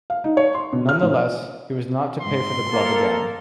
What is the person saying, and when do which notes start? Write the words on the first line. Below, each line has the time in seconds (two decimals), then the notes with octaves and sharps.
Nonetheless, he was not to play for the club again.
0.10 F5
0.24 D#4
0.37 C#5
0.55 C6
0.73 B2
0.89 F6
1.02 A2
2.22 G#2 C6
2.73 A#3 A4 A#4